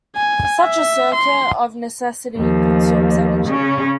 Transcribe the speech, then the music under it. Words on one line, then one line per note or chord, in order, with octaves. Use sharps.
Such a circuit, of necessity, consumes energy.
G#5
E5
C6
D#2 F3
C#3 C#4